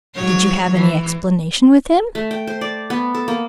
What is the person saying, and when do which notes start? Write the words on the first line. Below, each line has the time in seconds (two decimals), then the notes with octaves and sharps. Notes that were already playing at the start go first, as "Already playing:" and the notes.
'Did you have any explanation with him?
0.15 G#2 F#3 C#5
0.72 E3
2.15 A3
2.31 G5
2.47 C5
2.61 D5
2.90 B3
3.14 A4
3.28 A#3